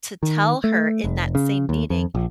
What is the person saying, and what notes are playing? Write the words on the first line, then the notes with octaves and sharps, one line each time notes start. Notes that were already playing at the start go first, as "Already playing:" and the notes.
to tell her in that same meeting,
D#3
A3
F1
C#3
D#2
F2
A#1